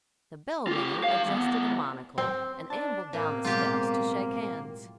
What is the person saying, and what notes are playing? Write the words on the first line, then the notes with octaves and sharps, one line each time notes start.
The bell-ringer adjusted a monocle and ambled down the steps to shake hands.
F4 G4
G3 F5
D#2 B3
C4
D4 A5
A2 A#3 C4
B2 F#3 G#3 F4 G4